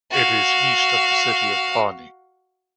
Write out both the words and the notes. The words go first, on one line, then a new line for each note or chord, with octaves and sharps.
It is east of the city of Pawnee.
F#4 F5